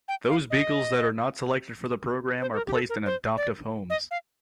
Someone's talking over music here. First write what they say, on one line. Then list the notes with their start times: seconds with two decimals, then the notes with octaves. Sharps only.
Those beagles that are not selected for the program are placed in adoptive homes.
0.08 G5
0.29 F5
0.50 D#5
2.42 C5
2.53 A4
2.57 A#4
2.67 G4
2.74 A4
2.89 A#4
3.06 C5
3.37 D5
3.90 D#5
4.11 F5